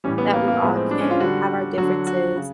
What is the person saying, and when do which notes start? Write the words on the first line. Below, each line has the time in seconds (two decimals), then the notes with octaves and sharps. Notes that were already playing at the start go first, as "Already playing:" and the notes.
That we all can have our differences,
0.04 A2 E3 G3 C#4
0.18 B3
0.33 A#3
0.48 A#3
0.61 A2 F3 G#3 B3
0.77 C4
0.91 D4
1.01 C#4
1.11 F4
1.20 D3 G3 F#4
1.78 F#3 F#4
1.82 D3
2.07 F#4
2.36 C#3